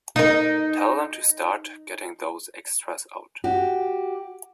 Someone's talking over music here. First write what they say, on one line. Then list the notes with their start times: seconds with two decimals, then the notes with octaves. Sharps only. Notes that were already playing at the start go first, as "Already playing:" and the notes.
Tell them to start getting those extras out.
0.16 D#4 A#4
3.44 F#4 G4